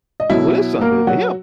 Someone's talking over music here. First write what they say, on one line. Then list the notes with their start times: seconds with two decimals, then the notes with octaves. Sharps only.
You know, what his son did to him
0.20 D#5
0.30 B2 F#3 E4 E5
0.81 A#3 A#4
1.07 F#3 F#4